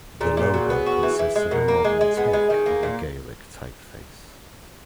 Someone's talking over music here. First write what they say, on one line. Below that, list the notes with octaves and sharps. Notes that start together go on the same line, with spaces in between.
The logo consists of a modern take on the Gaelic type face.
A#2 G#4
A#2
F#3 G#4
B3
F#4
E3
E3
G#3
B2 A#4
A#3
G#3 G#4
G#3
B3 G#4
G#3
D#3
A#3
A#2